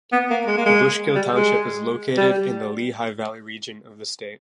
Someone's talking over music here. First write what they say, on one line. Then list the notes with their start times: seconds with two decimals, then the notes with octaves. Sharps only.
Bushkill Township is located in the Lehigh Valley region of the state.
0.12 B3
0.30 A#3
0.47 G#3
0.57 A#3
0.66 G#3
1.15 G3
1.33 G#3
2.17 G3